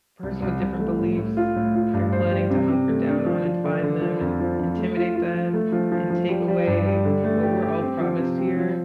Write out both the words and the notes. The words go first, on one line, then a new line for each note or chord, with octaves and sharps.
person with different beliefs, they're planning to hunker down on and find them, and intimidate them, and take away what we're all promised here
C2
C2
C2
A3
A2
A2
F4
A2
F4
G2
C5
G3
C3
C3
A3
D4
F3
F3
D3
D3
F3
F2
F3
F2
A3
F4
F4
F3
A3
F3
F3
F3
G3
G3
G2
G3
D3
A3
G4
G4
C4
F3
C3
C4
F3